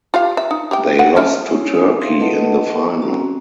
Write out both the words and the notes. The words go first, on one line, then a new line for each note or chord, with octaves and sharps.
They lost to Turkey in the final.
F4 G4 F5
E5
D#4
G4 E5 G5
F#5
F3 C#4 E5
G#3 C#4 D#4 E4 C#5
C#4 A4 G#5 D#6
D4 D#4 A4 E5 F5 C6
A4 B4 D#5 F#5 A5
C4 C#4 F#4 A#5